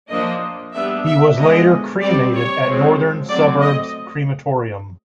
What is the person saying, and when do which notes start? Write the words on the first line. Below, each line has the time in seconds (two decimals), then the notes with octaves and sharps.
He was later cremated at Northern Suburbs Crematorium.
0.11 F3 A#3 D4 D#5
0.74 G3 B3 D4 E5
1.07 E5
1.38 D3 F3 G#3 B3 D#5
2.02 G3 C4 D5
2.34 C#5
2.66 F3 G#3 C4
3.30 F#3 A3 C4 D5
3.62 D#5